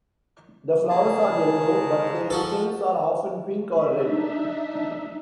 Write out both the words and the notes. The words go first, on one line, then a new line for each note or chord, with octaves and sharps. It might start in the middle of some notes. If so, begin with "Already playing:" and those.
The flowers are yellow, but their stems are often pink or red.
C#3 A#3 G#4 A5
G#2
F3 F#4 A4
D4 D#4 E5